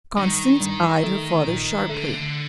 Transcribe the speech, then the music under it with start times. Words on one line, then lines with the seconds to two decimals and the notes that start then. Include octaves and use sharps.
Constance eyed her father sharply.
0.17 G2 D#3
0.60 G2
1.03 A3
1.47 A#1
1.89 D3 A3